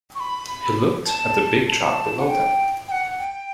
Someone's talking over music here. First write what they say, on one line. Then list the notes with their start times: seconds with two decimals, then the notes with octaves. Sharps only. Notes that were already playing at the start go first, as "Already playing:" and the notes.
He looked at the big drop below them.
0.15 C#6
0.20 B5
1.06 A5
1.67 A5
2.18 F#5
2.28 G5
2.88 G5
2.92 F#5
3.19 G5